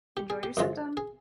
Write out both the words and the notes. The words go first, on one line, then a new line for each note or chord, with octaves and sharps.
Enjoy Your Symptom!
G4
G#4
G4
F#2 D3 F3 G#3
G#4